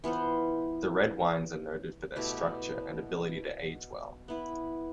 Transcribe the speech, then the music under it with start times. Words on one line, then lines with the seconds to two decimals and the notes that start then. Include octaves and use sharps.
The red wines are noted for their structure and ability to age well.
0.04 E3 B3 F4 C5
2.16 B2 A3 E4 G4
4.28 B3 E4 B4